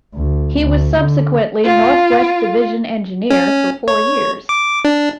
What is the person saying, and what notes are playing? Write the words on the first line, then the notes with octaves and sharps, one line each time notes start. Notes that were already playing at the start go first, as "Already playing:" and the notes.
He was subsequently Northwest Division Engineer for four years.
D2
D2
D3
F4
C#4
C#5
D6
D4